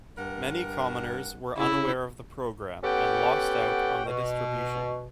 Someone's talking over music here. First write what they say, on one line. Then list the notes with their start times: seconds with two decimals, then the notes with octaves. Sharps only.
Many commoners were unaware of the program and lost out on the distribution.
0.16 G2 A#4 F#5
1.57 C#3 E4
2.84 B3 C#4 G4 A4 F#5 G5
4.06 B2